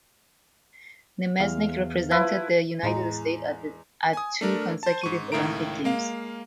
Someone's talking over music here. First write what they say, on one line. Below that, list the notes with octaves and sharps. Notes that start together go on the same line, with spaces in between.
Namesnik represented the United States at two consecutive Olympic Games.
E2 F5
F3 E4 B4
E2 A2 G#3 A#5
G#5 D#6
A3 D4 A#4
C5 A5
G#2 C#6 D#7
C#2 A2 D#3 E5 A#5 D7
G#3 A#3 F5